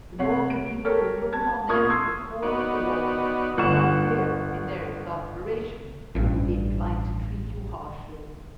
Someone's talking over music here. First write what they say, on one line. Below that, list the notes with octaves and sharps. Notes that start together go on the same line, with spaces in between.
The Northern people will look upon them as the cause of the war, and I fear, in their exasperation, will be inclined to treat you harshly.
C3 C#5 F#5 C7
D7
G4 A4 A#4 C#5
A5 G#6
A#2 A#4 C#6 D#6 F6 G#6
C6 E6 G#6 C7
B3 D#4 F#4 C#5 D5
G1 F#5 C#6 E7
A1 G2